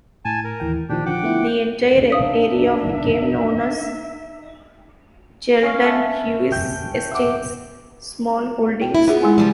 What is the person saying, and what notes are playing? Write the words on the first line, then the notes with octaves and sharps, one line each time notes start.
The entire area became known as Geldenhuis Estates Smallholdings.
A2 G#5 A5
A#4
D#2 E3 G5
A#2 D#3 F3 D4 G4
D3 F3 F#5 G5 D6
A3 B3 E4
D4 D#4 E5 F5 D#6 B6
C#4 F5
B4 E5 A5
G5
E5 F#5 D6
G5
E4
B3 D#4 F4 G#4
G#3 E4 G#5
C#3 F3 G3